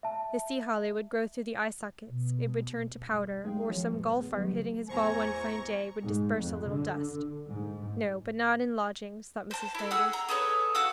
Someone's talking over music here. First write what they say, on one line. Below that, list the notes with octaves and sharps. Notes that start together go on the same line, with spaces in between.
The sea holly would grow through the eye-sockets; it would turn to powder, or some golfer, hitting his ball one fine day, would disperse a little dust--No, but not in lodgings, thought Mrs. Flanders.
E5 A5
B2
G2
G#3 D#4 G#4 A#4 F5 G5
D#3 F3 C4 F#4 A#4 C#5
G2 A#2
B3 G#4
D#3 F#3 G3 B3
C#3
E2 A2 E3 C5 G#5 A#5 C#6
G#2
F2
D3
G#2
C5 A5
E4 A4
G#4 F#5 E6
A#5
G#4 A4 B4 C#5
F#4 F5 F#5 E6